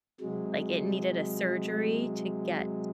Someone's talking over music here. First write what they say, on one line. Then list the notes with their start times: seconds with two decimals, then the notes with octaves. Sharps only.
Like, it needed a surgery to get
0.20 C3 F#3 G#3